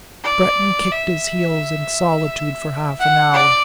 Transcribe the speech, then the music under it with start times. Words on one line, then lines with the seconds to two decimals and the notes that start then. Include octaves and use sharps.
Breton kicked his heels in solitude for half an hour.
0.24 D5
0.92 E5
2.99 F#5
3.34 D5